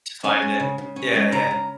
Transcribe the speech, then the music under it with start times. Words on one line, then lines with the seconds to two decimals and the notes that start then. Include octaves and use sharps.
To find it. Yeah, yeah.
0.24 C#4 G#5
0.42 G#3
0.60 C#3
0.78 C#3
0.96 C#4
1.15 G#3
1.32 C#3 A#5
1.51 C#3